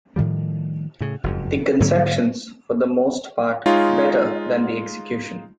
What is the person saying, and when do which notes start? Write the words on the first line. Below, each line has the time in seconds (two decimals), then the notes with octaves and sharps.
The conceptions for the most part are better than the execution.
0.16 A2 D#3 F3 G3
1.01 A2 C#3
1.24 F#1 F2 G#2
1.80 G#2 D3 F#3 A#3
3.66 G#3 D#4 F4 C#5